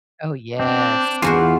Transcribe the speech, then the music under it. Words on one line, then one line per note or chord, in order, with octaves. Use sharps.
Oh, yes.
C4 D4
E2 E3 F4 F#4 C5